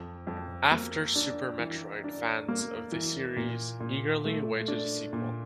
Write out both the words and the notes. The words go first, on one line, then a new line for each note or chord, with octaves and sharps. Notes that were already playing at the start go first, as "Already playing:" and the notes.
After "Super Metroid", fans of the series eagerly awaited a sequel.
Already playing: F2
F2
A#3
D4
E3
D4
A#3
E3
A#2
A#2
A3
D4
A#2